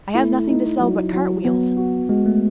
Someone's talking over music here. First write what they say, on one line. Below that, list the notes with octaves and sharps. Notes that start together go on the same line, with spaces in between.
I have nothing to sell but cart-wheels.
A3 E4
D#4
F#3
F#3
F#3 B3
F#4
G#3 F#4
A3